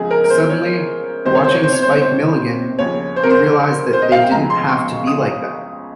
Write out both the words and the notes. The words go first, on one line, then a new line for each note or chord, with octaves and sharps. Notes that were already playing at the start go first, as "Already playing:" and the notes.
Suddenly, watching Spike Milligan, we realized that they didn't have to be like that.
Already playing: C#2 C#3 F3 G#4
A#4
A#4
C5
C#5
C2 C3 D#3 C5
C#5
C5
C#5
C5
C#5
C5
C#5
C5
D#2 C#3 F3 C#5
C5
A#4
C5
C5
D#5
F5
G5
C#2 C#3 F3 A#5
C6
C#6
D#6